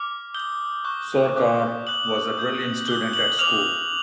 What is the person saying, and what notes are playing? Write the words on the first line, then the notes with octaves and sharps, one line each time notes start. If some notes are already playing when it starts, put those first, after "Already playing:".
Sorcar was a brilliant student at school.
Already playing: D6 F6
D#6 G6 G7
C#6 F#6
D6 F#6
D#6 F#6 F#7
D#6 G6
D#6 F#6 G7
F#7
D6 F6 F7